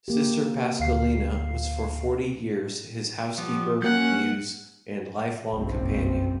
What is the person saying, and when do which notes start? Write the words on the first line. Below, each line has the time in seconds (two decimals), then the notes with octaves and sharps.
Sister Pasqualina was for forty years his "housekeeper, muse and lifelong companion".
0.08 A#3 G4
0.80 D2 F5 C7
3.38 F3 G3 B3
3.82 F#3 A#3 C#4 F#5 G6
5.51 F#1 B1 G2 C4